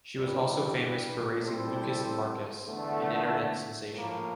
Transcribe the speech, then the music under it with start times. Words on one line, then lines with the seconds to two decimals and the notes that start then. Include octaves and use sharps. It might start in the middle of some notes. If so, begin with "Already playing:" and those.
She was also famous for raising Lucas And Marcus, an internet sensation.
0.16 G2 E3 G3
1.42 G3 C4 E4 A4 C5
2.67 E2 D3 A3
3.92 A2 F3 A#3